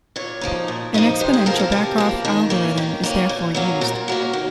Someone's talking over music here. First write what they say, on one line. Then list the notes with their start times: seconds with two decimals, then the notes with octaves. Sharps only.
An exponential backoff algorithm is therefore used.
0.16 A#2 C#5
0.41 F3 A#3 D#4
0.68 A#2
0.94 F3 A#3 D#4
1.20 C3 C5
1.33 G#4
1.46 F3 A#3 A#4
1.59 A#4
1.72 C3
1.98 F3 A#3
2.25 D#3
2.50 A#3 C#4
2.77 D#3
3.04 A#3 C#4
3.29 A#2
3.55 F#3 A#3 C#4
3.81 A#2 A#4
4.08 F#3 A#3 C#4
4.33 D#3